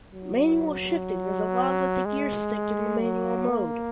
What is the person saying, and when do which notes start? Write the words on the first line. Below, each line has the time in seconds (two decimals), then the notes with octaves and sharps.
Manual shifting is allowed with the gear stick in the manual mode.
0.13 F#3
2.05 G#3
3.01 F#3
3.49 A#3